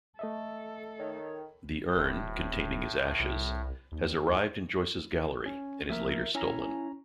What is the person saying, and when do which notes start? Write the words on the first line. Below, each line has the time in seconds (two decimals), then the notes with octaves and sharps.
The urn, containing his ashes, has arrived in Joyce's gallery, and is later stolen.
0.19 A3 A4 D#5 E5
0.99 D#3 C#5
1.96 D1 A2
3.20 C2
3.92 D#2
5.46 C#4
5.90 F3 A3 A#3 A#4 E5
6.35 C#4 E4 G#5 A#5